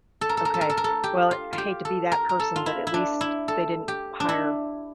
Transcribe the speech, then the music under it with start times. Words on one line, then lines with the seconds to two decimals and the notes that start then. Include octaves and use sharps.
Okay. Well, I hate to be that person, but at least they didn't hire
0.21 A4
0.29 A#4
0.37 A4
0.45 A#4
0.54 A4
0.61 A#4
0.70 A4
0.77 A#4
0.84 A4
1.04 G4
1.31 F4
1.53 F4
1.58 G4
1.85 A4
2.12 A#4
2.29 A#4
2.40 A4
2.56 F4
2.66 E4
2.87 E4
2.94 D4
3.21 E4
3.48 A4
3.88 G4
4.20 D4
4.29 E4